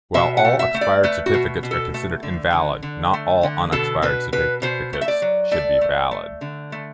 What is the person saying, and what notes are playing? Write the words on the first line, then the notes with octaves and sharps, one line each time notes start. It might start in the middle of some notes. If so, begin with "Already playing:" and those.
While all expired certificates are considered invalid, not all unexpired certificates should be valid.
B2 E5
F#5
A3
E5
A3
D5
A3 B4
F#4
B2
B2
A4
A3
D3
D3
D3
A3
D3
B2 A4
B2 B4
B2 B4
B2 C5
A3
E5
D5
F#3
A3 D5
A3
A3
D3
A3